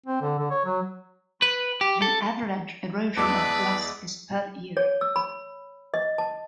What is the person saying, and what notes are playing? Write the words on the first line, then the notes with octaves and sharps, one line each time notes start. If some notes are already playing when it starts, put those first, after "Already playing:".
The average erosion of bluffs is per year.
C4
D3
D3
C#5
F#3
B4
G4
A4
E2 G#3 B4 D5 A5 D6 E6
C#5
E6
B5
D#5
A5